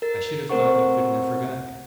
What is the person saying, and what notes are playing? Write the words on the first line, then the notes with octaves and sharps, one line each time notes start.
"I should have thought you couldn't have forgotten it?"
A#4 A6
A3 C4 A#4 C5 F#5 C#6